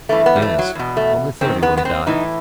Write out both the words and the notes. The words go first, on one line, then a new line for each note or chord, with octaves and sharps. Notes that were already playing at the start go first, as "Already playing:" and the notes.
"Yes; only thirty when he died."
G2 E3 A3
B3
G3
A3
F#3
E2 B2
A3
F#2 D#3 C4
B3
B3
C4
A2 E3 D#4